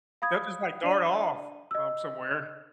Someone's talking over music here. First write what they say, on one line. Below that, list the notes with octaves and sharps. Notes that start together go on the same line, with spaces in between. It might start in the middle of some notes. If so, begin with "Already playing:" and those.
They'll just, like, dart off, um, somewhere,
F5 B5 D#6 G#6
D4 D5 D#7
D#5 E6